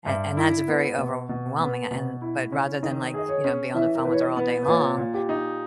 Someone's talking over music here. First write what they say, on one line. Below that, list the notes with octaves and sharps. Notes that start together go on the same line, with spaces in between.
and and that's very overwhelming. And but rather than, like, you know, be on the phone with her all day long,
G2 E5
E4
B3
B2 D#5
B2
B3
B2
E4
C#4
D#3 D#5
G#4 D#5
C#5
C#4
E3 E5
A#4
E3 B4
C#5
D#5
B3
B4
A#2 C#5
A#2
G4
D#4